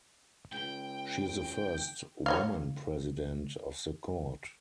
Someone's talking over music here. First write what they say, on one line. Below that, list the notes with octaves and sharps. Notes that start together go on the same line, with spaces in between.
She is the first woman President of the court.
C#2 G5
C#5 D#5 F5